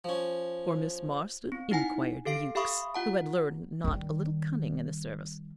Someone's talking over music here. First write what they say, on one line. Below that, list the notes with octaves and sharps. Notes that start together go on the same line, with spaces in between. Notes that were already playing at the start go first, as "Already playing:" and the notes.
"For Miss Marston?" inquired Mewks, who had learned not a little cunning in the service.
F3 C#4
C4
D#4 E4 F#5 G#5
G4 A4 F5 C7 D7
G4 E5 F5 B5 C#6 D#6
F4 F#5 A5
D#3 G3